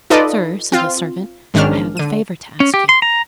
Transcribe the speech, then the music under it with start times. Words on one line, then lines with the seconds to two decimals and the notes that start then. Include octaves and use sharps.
"Sir," said the servant, "I have a favour to ask you."
0.10 D#4 F4 A4 B4 D5 D#5
0.72 C4 F4
1.54 B1 G#2 D#3 C#4 D4 F6
1.97 D3 D#7
2.60 C#4
2.74 G4
2.89 C6
3.02 A#5